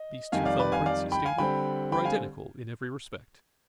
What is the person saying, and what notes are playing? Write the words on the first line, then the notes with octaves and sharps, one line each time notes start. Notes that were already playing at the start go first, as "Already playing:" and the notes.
These two thumb-prints, he stated, were identical in every respect.
Already playing: D#5
F2 D#3 G3 F5 G#5
D5 F5
B4 D5
F5 G#5
D5 F5
G5 B5
F5 G#5
D3 G3 C4 G5 B5
G5 B5
F5 G#5